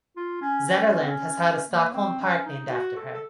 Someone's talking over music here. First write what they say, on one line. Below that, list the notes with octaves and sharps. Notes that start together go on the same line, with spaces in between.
Zetterlund has had a Stockholm park named after her.
F4
C#4
C#4
C#4
C4
C#4
A#3
C4
C#4
D#4
F#4
A4
A4